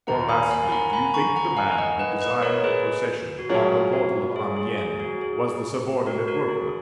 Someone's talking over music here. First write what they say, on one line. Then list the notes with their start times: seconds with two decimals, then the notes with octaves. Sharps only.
Or, lastly, do you think the man who designed the procession on the portal of Amiens was the subordinate workman?
0.07 D#2 D#3 A#3 F#5 A#5
0.29 G#5 B5
0.50 F5 G#5
0.68 B5
0.72 F#5 A#5
0.93 G#5 B5
1.14 A#5 C#6
1.36 F#5 A#5
1.57 F5 G#5
1.78 D#5 F#5
1.99 B4 D#5
2.22 B4 D#5
2.34 D#5
2.42 A#4 C#5
2.64 G#4 B4
3.39 F#4
3.49 A#2 F#3 C#4 F4 G#4
3.93 F#4
4.36 G#4
4.57 G#4
4.78 G#4
5.00 F#4
5.21 G#4
6.06 F#4 A#4
6.27 F#4 A#4
6.49 G#4